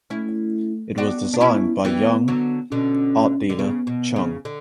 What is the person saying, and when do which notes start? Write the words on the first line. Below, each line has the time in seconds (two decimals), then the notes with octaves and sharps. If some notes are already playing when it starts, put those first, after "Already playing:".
It was designed by Jung "Art Dealer" Chung.
0.10 A3 C#4 E4
0.98 B3 D4 F#4
1.34 D4
1.41 C#4 E4
1.85 E3 G3 B3
2.28 D3 F#3
2.71 B2 D3 C#4
3.50 D3
3.59 C#3 B3
3.87 B2
4.16 C#3
4.45 D3